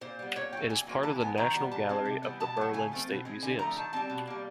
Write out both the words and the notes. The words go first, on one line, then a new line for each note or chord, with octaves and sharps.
It is part of the National Gallery of the Berlin State Museums.
A#2 C5
G3 B3
A#2 C#5
F#3 A3 G5
A#2 G#5
F#3 A#3
E3 A5
G#3 B3 G#5
D#3 A#5
G3 B3
B2 A5
G#3 C4
C3
E3 G3 B3
B2 A5
F#3 A3
C#3 G#5
F3 A3 C4
B2
G#3 C4
D3 G#5
F3 A3 A#5
D#3 A5
G3 C4 A5
B2
G3 A#3